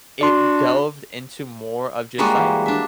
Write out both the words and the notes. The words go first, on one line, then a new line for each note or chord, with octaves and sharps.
it delved into more of just, like,
D4 F#4 D5 C6
G3 G#3 A#3 F4 F#4 D#5
E3
D4 E5